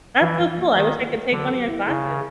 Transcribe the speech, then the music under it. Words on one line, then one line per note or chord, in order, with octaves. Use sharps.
That's so cool, I wish I could take one of your classes.
E3 F3
F3
A#3
D#3 A#3
G#4
A#3
D3 F#3
G4
E4
C#3 E4
G4